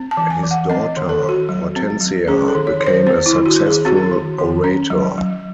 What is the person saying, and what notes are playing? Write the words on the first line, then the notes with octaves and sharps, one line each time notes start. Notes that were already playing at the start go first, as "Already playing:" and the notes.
His daughter Hortensia became a successful orator.
Already playing: C4
A5
E3
G#5
E3
F#5
C4 D#5
D#3
A4
D#3
F#4
F#3
C4
F#3
C#4 G#4
A4
D#3
C#5
D#3
C5
C4 C5
E4
D#3
F#4
D#3
G#4
C4 F#4
D#3
D#3
C#4
F#3
F#3